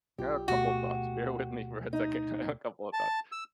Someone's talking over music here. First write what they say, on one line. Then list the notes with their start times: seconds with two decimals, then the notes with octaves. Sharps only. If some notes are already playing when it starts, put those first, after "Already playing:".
I have a couple of thoughts. Bear with me for a second. I have a couple of thoughts.
0.18 B1 F4 G4
0.48 D2 B2 A3 F#4
1.93 D#4
2.93 A5
3.32 E6